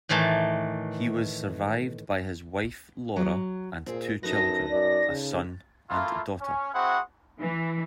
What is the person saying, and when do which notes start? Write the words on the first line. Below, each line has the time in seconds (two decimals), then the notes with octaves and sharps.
He was survived by his wife, Laura, and two children, a son and daughter.
0.09 A2 D#3 E3 A3 A5
3.16 F#3
3.86 A#2 C4 G#4
4.23 F#2 D#4 A4 B4 A#6
4.69 F#2 D5
5.09 C#3
5.90 A3 A#3 E4 F4
6.41 C#4
6.74 C4 E4 F#4 G#4 C5 F#5
7.40 E3